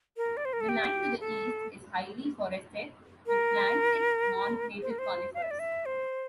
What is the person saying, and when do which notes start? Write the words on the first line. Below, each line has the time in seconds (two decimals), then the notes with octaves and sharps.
The land to the East is highly forested with planted non-native conifers.
0.17 A#4
0.37 D5
0.45 C5
0.53 A#4
0.61 A4
0.69 G4
1.20 A4
3.27 A#4
4.82 C5
4.90 A#4
4.99 C5
5.34 F5
5.42 E5
5.51 D5
5.59 E5
5.86 C5